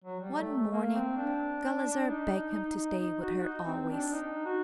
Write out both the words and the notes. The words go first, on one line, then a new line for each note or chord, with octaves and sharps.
One morning Gulizar begged him to stay with her always.
F#3
G3
A3
A3
A#3
C4
D4
D#4
D#4
D#4
F#4
D#4
C4
D4
D#4
F#4